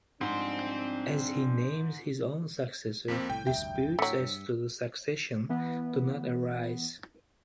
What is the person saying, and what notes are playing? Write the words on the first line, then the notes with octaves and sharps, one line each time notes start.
As he names his own successor, disputes as to the succession do not arise.
G#2 F3 G3 C4 D4 C6
F2 A#3 C4 B6
C2 A2 G5
F1 D2 G2 E5 G5
A2 D3 F#3 E6 B6 C#7
G2
E3 B3